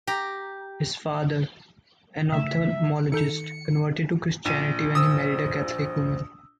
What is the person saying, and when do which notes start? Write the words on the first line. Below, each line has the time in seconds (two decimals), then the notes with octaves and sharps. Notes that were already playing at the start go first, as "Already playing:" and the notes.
His father, an ophthalmologist, converted to Christianity when he married a Catholic woman.
0.07 G4 A#5
2.32 C#3 A3 E5
3.12 D#3 D#4 A4 G6 C#7
4.45 A#1 D#7
4.95 C5 D#6 E6